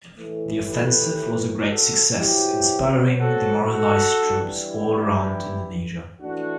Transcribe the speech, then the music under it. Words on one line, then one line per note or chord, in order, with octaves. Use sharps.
The offensive was a great success, inspiring demoralized troops all around Indonesia.
A2 E3 A3
G4 B4
F#4 A4
B2 F#3 C4 E4 G4
F#4 A4
F#4 A4
E3 G3 D4
E4 G4
A2 E3 A3 D4 F#4